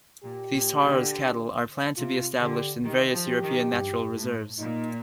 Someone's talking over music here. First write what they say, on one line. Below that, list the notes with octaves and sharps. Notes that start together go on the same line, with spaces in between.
These Tauros cattle are planned to be established in various European natural reserves.
A#2 G4
A#2
D3
C3 F4
D3 G4
D#3 G4
F3
G4
D#3
G2
A2
A#2 D#4